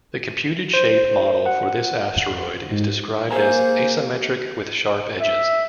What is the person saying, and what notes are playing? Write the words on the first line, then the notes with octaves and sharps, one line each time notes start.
The computed shape model for this asteroid is described as "asymmetric with sharp edges".
C5
F#5
G#2
A#3 G#4 C5 G#5 A#5
E5